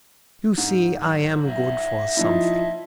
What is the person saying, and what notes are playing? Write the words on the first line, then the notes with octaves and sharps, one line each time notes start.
"You see I am good for something."
G#2
F#3
C#5 E5
F3 D#4 E4